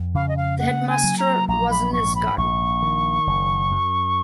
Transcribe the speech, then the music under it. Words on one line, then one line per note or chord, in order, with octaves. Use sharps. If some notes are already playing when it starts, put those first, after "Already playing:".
The headmaster was in his garden.
Already playing: F2
C#3 F5
D#5
F5
A#3 F#5
G#5
F#3
A#5
A#1 A#5
B5
G#2 C#6
B5
A#1 C#6
D#3
F#1
F#2